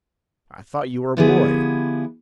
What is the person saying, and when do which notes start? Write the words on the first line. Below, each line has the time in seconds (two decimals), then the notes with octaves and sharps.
"I thought you were a boy."
1.17 D3 F3 B3 E4 G4 G#4